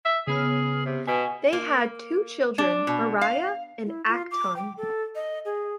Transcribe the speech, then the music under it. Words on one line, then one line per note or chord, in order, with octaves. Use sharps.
They had two children, Mariah and Acton.
E5
C#3 B3 G#4 F6
C3
B2 G#5
A#3
D4
B2
F5
E4
F4
D6
G5
A4
D#5
G#4